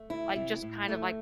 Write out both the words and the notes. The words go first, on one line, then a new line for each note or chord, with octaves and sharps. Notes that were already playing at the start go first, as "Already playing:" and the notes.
Like, just kind of, like
Already playing: A3
D2 E4
C3
A2
A3